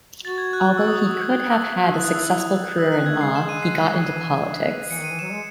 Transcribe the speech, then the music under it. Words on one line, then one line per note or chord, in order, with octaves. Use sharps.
Although he could have had a successful career in law, he got into politics.
F#4 A6
G#6
F#6
E6
D#6
D#6
E6
F#4
E4 F#6
D#6
E6
D#6
D#6
E4 E6
D#4
F#6
C4
G#6
A3
G#3 C7
E7
D#7
C7
E3
E3 C#7
D#3
D#7
E3
F#3 E7
G#3